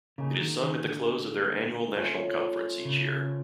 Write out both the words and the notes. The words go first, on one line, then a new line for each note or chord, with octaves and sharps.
It is sung at the close of their annual national conference each year.
C#3 A#3 D#4 G#4
D#3
D#3
D3
F3 A3 C#4 F4
C#3